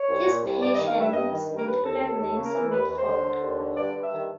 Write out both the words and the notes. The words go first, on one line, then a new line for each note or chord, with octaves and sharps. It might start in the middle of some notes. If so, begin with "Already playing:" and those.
His patients included Nancy Mitford.
Already playing: C#5
C2
A#2
C2
G2 D5
D#5
D#3
F5
G2 E5
G2 D#5
D#3
G2
A#4
D#2 B4
D#2 A4
D#2 A4
D#2 A4
C#3
A#4
E3
D#2 B4
D#2
C5
D3
D3
D#2
D3
G2 D5
G2
E5
D#3